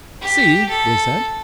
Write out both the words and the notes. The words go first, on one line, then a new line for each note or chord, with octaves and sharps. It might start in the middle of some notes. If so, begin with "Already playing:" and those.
"See!" they said.
G4
A4